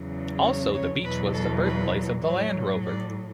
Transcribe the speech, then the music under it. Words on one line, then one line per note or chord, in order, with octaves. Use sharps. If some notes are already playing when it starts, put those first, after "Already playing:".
Also the beach was the birthplace of the Land Rover.
Already playing: E2 C#3 F#3
C#5
C#5
E2 B2 F#3 B4
A4
B4
A2 F#3 C#5
D5